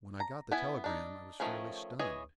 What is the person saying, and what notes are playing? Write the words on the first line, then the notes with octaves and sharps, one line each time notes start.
When I got the telegram I was fairly stunned.
A#5
B3 E4 G#5
D4 D#4
D#3 F3 A3 C#4
E3 G#4 C#5 D#5